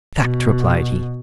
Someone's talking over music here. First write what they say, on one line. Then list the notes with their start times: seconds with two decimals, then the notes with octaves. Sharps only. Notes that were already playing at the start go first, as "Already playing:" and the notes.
"Fact!" replied he.
0.17 B2